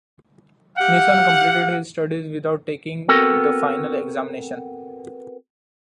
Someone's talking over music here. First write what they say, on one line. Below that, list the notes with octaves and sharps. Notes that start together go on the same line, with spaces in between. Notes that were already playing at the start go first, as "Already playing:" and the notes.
Nissen completed his studies without taking the final examination.
G4 F5 F#5
B3 C4 F#4 A4 A#4